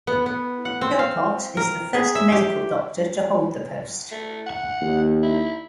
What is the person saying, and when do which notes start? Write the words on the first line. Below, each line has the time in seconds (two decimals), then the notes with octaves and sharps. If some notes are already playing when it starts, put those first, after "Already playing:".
Philpott is the first medical doctor to hold the post.
0.07 B3
0.26 B3
0.65 F#5
0.81 C4
0.99 F5
1.57 A#4
1.94 G#4
2.15 E5
2.32 G4
4.11 A3
4.46 F#5
4.81 D#2
5.23 E4